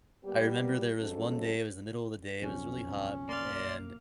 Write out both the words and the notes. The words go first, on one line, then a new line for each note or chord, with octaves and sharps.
I remember there was one day, it was the middle of the day, it was really hot, and,
G3 A#3 B3 G4
F2 F#3 G#3 C#4 A4
B1 F2 C#3 C#4
A#3 D5 F5 C6